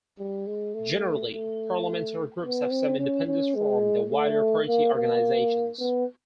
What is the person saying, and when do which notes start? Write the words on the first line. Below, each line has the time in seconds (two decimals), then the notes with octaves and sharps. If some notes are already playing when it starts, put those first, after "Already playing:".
Generally, parliamentary groups have some independence from the wider party organisations.
0.19 G3
0.47 G#3
0.74 A3
1.31 A3
2.43 B3
2.70 C4
2.99 C#4
3.27 C#4
3.55 G#3
4.11 A3
4.67 A#3
4.95 A#3
5.79 B3